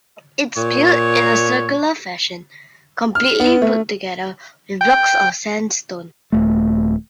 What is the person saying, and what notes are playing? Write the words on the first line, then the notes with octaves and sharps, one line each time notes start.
It's built in a circular fashion, completely put together with blocks of sand stone.
A#2 C#5
F6
B3
A3
G5
D#1 A3